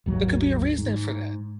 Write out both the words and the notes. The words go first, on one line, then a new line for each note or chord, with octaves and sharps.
there could be a reason for that.
G#1 D#2 F#3
G#2